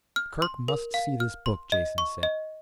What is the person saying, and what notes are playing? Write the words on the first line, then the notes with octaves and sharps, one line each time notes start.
"Kerk must see this book," Jason said.
F6
C6
A#4
F5
F6
C6
D#5
C#6
D#5